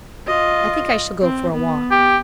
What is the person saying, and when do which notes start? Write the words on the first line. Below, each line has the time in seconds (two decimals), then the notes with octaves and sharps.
"I think I shall go for a walk."
0.27 F4 D#5
1.22 C4
1.53 B3
1.91 G4